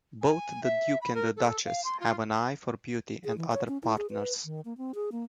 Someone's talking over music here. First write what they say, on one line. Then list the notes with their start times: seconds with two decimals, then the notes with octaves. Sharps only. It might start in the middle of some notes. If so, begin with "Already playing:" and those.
Both the Duke and Duchess have an eye for beauty and other partners.
0.21 G#5
0.63 E5
1.01 B5
1.14 A#4
1.36 A4
1.65 F5
1.84 C6
1.99 F4
3.25 G#4
3.37 E3
3.52 C#5
3.68 C#4
3.83 E4
3.97 G#4
4.10 B4
4.45 D#3
4.65 A#3
4.78 C4
4.95 G#4
5.12 A#3